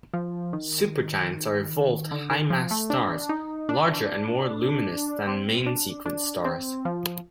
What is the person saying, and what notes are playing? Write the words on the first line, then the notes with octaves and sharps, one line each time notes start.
Supergiants are evolved high-mass stars, larger and more luminous than main-sequence stars.
F3
D#3
D3
D#3
F3
A3
D4
D#4
D4
C4
D4
D4
C4
F3